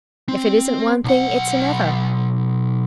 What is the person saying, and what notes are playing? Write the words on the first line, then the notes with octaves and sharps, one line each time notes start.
If it isn't one thing, it's another.
C4
B1 F#5